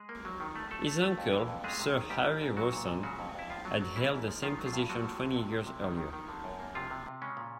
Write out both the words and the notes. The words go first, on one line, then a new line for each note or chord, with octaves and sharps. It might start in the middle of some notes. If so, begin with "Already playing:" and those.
His uncle, Sir Harry Rawson, had held the same position twenty years earlier.
Already playing: G#3 G#4
A#3
F#3
D#3
A3
A3 A4
A3
A3
F2
E3
F2
G#3 A3 G#4
C3
D#3
G#2 G3 G4
G#2
G#2
A#2 F#3 F#4
A#2
A#2
C#3 F#3 F#4
F2
F2 E4
A2 F3 F4
F#3
F#3
E3 A#3 E4
G#2
F3
D#3 F3 F4
F#3
F3 F4
G2
F3 F#3 F#4
D3
D3
C3
C3
C3
D#3
D#3
D#3
D3
F#2
A#3
C3 F3 F4
C3
C3
C#3 G#3 C#4
A#2